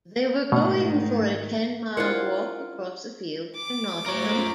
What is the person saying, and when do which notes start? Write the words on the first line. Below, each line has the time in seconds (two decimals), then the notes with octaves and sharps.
They were going for a ten-mile walk across the fields to Nottingham.
0.52 G#2 B2 D#3 A3 C#5 F#5
1.97 D4 E4 F4 A#4 C5 F#5
3.56 D6
4.06 A3 F4 A#4 C5 C#5